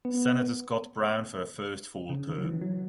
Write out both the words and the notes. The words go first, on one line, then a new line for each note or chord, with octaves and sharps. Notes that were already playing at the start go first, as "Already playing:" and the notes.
Senator Scott Brown for her first full term.
B3
C#3
D#3
F#3
E3
F#3